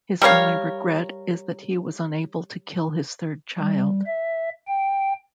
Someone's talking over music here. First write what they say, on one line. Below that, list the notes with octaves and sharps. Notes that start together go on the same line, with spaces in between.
His only regret is that he was unable to kill his third child.
G3 A#4 C#5 F5
G3
E5
G5